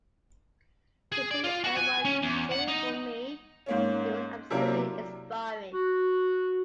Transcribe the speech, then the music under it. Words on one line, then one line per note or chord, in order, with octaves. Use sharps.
To hear everyone cheering for me, it was absolutely inspiring.
G#4
D5
F4
F#4
G#5
C#4
E2
F#5
D#4
G#2 A#3 C#4
C3 F#3 A#3 D4 E4 A#4
F#4